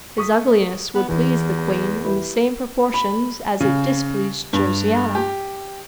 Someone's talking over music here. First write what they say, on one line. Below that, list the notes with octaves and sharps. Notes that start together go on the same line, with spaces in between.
His ugliness would please the queen in the same proportion as it displeased Josiana.
C#6 D#6 B6
B3
E2 E3
E4 G4 B4
B5
C#3
G2
G4